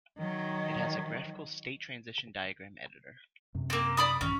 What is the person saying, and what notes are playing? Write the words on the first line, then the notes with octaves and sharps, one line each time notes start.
It has a graphical state-transition diagram editor.
D#3 F#3
F#2 C3
A#3 C4
D5 B5 D#6
A#1 G2 D#3 C#4